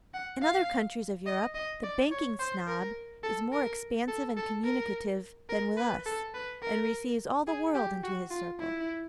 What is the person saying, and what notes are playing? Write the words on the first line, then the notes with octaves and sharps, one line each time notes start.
In other countries of Europe, the Banking Snob is more expansive and communicative than with us, and receives all the world into his circle.
F#5
F5
D#5
D#5
D5
C#5
C5
A#4
A4
A#4
A4
A4
A#4
A#4
B4
A4
B4
A#4
G#4
G4
F#4
F4
E4